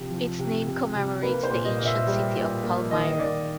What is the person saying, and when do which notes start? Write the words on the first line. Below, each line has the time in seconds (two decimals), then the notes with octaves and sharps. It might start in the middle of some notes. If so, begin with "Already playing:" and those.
Its name commemorates the ancient city of Palmyra.
Already playing: C3 F3
0.11 F3
0.39 C3
0.67 C3
0.95 C3
1.23 A#3 B4
1.44 C5
1.51 A#2
1.65 D#5
1.79 A#2
1.86 E5
2.07 G3
2.35 A#2
2.63 A#3
2.91 D#3 D#5
3.10 D#5
3.19 D#3 D5